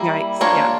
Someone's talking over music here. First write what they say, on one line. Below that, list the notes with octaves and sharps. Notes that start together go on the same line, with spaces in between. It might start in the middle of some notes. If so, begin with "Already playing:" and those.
Yikes, yeah.
Already playing: G3 A#3 E4
A#3 D4 F4 C#5